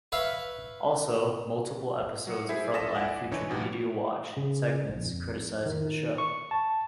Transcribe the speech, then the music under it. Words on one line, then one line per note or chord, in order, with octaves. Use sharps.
Also, multiple episodes of "Frontline" featured "Media Watch" segments criticising the show.
B4 C#5 E5 F5
F#3 C#7
E4 G#4 C5 B6
F4 A4 D#6 A#6 B6 E7
E4 D5 F#5 G#5
D3 E3 D#4 C#5 G#5
G1 D2 B2 F3 G4
C#3
A#1
F2
D#3
C#6
A5